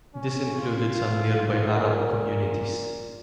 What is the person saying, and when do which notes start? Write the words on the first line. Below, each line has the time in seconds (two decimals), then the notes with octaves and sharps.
This included some nearby Arab communities.
0.14 C#4
0.59 F4
1.75 A#2